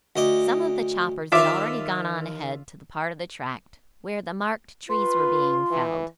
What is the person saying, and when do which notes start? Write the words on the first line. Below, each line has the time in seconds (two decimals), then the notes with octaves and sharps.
Some of the choppers had already gone on ahead to the part of the tract where the marked trees were being felled.
0.16 D2 D#5 D6
1.32 D#2 F4 E5 F5 D6
4.90 F4 B4 C6
5.71 E3